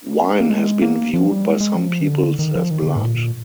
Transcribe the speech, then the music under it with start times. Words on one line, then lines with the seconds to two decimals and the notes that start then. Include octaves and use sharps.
Wine has been viewed by some peoples as blood.
0.41 A#3
0.50 G#3
0.82 A#3
1.14 F3
1.29 G3
1.45 G#3
1.60 G#3
1.75 F3
2.01 D#3
2.07 D3
2.39 D#3
2.55 F3
2.71 D#3
2.82 D#3
2.87 D3
2.96 G#2
3.03 A#2